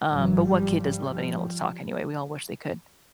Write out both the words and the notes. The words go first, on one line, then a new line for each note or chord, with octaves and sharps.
um, but what kid doesn't love an animal to talk, anyway? We all wish they could,
G#1 G2 E3 F#3
F3 G3
F3 G3